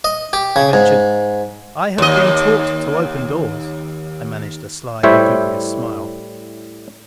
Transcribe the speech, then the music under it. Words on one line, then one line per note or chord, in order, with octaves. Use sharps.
I ventured, "I have been taught to open doors." I managed a sly, lugubrious smile.
D#5
G4
C#3
G#2
D#2 D#5
A2 G3 E4 C5 C#5 E5